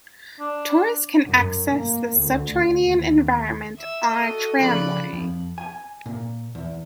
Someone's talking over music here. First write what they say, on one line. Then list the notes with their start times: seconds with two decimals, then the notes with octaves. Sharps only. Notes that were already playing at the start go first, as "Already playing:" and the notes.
Tourists can access the subterranean environment on a tramway.
0.40 D4
1.25 F#2
1.70 A#3
2.17 D2
2.79 D#2
3.75 E5 E6
4.09 F#4 A4 D#5
4.59 C#3 F3 D5 B5 F#6
5.13 F2
5.58 G#5
6.06 A#2
6.55 E2